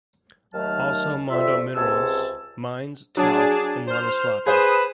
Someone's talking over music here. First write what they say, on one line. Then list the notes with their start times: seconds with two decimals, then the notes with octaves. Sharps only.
Also Mondo Minerals mines talc in Lahnaslampi.
0.54 D#2 D#3 F#3 A3 A5 F6
1.30 F2 G3 F4 E5
1.75 C#2 C3 G#4 C#5 A5 E6
3.17 F#3 D4 G#4 A5
3.87 C5 F6
4.46 G#4 B4 C5 D#6 E7